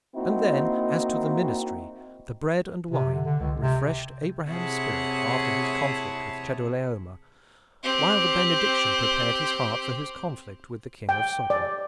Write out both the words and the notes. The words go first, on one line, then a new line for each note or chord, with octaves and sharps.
And then as to the ministry,--the "bread and wine" refreshed Abraham's spirit, after his conflict with Chedorlaomer; while the benediction prepared his heart for his conflict with the king of Sodom.
A#3 C4 D#4 E4 F#4
C3
D3
D3
C#2
C3
C3 E4 G#4 C#5 F#5 A5
C4 G4
G5
D5